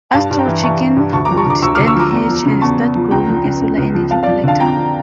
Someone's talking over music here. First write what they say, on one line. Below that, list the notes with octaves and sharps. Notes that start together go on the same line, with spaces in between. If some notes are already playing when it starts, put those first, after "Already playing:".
Astrochicken would then hatch and start growing a solar-energy collector.
G2 F5 A5
G2
G5 A#5
E3
E3 A5 C#6
G2
G2
D2 A5 C#6
F3 A#5 D6
A5 C#6
D3 A#5 D6
D2 C#6 E6
D2 D6 F6
C#6 E6
F3 A#5 D6
E2
F3
C#3
E2 A5 C#6
E2
F3
C#2 G5 A#5
F3
C#3
C#2
C#2
F3
F2 F5 A5
F3 D5 F5
D3 F5 A5
F2 G5 A#5
F2